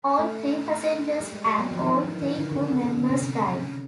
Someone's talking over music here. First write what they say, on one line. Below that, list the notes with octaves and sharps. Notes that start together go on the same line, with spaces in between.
All three passengers and all three crew members died.
A3
G3
G#3
G3
F#3
F3
D#3
E3
E3
D#3
D3
D3
C#3
C#3
C#3
D3
C3
C3
C#3